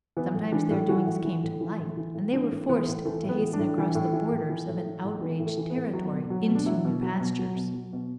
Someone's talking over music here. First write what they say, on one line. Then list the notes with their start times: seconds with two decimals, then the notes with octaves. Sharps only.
Sometimes their doings came to light, and they were forced to hasten across the borders of an outraged territory into new pastures.
0.17 E3 B3
0.34 A2
0.52 E3 D4
0.71 A2
0.89 E3 F#4
1.06 A2
1.25 E3
1.43 A2
1.61 E3
1.79 A2
1.97 E3
2.14 A2
2.33 E3 D4
2.51 A2
2.69 E3 B3
2.87 A2
3.05 E3 A3
3.23 A2
3.29 B3
3.41 E3
3.53 D4
3.59 A2
3.78 E3
3.95 A2
4.13 E3
4.31 A2
4.50 E3
4.68 A2
4.86 E3
5.04 A2
5.21 E3 B3
5.39 A2
5.46 A3
5.58 E3
5.70 B3
5.76 A2
5.93 F#3
6.12 B2
6.30 F#3
6.48 B2
6.55 D4
6.66 F#3 E4
6.85 B2
7.03 F#3
7.20 B2
7.39 F#3
7.56 B2
7.74 F#3
7.93 B2